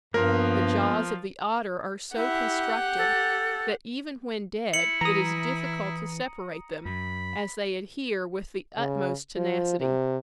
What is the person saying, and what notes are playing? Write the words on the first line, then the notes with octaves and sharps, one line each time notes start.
The jaws of the otter are so constructed, that even when dead it is difficult to separate them, as they adhere with the utmost tenacity.
G2 F3 A#3 B3 A#4
E4 G4 F#5
A4
E4 C#7 F#7
E3 A#5 D#6
F#2 B5
C#3
F3
C3